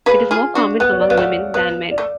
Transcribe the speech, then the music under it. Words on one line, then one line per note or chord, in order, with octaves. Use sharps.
It is more common among women than men.
G#4 B4 F5
F4 G#4
D4 F#4
B3 F#5
C#5
D5
B3 F5
A3 F#5
B3 F5
D5
A3